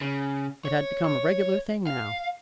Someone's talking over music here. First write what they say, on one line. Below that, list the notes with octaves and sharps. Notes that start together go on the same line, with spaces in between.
It had become a regular thing now.
C#3
C#5
C#5
F5